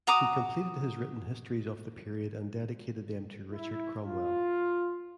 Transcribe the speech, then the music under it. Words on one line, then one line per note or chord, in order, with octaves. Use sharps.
He completed his written histories of the period and dedicated them to Richard Cromwell.
F#4 A#5 D6 D#6
E4
F4